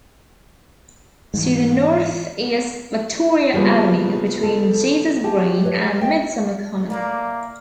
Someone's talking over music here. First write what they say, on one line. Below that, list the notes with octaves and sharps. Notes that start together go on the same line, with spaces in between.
To the north is Victoria Avenue between Jesus Green and Midsummer Common.
G#2 E3 G#3
C#3 F3 G3 A#3 B3
A4
G4 G#4 A5
B4 C#5 D#5
D#5 G5
A2 F3 A#3 D5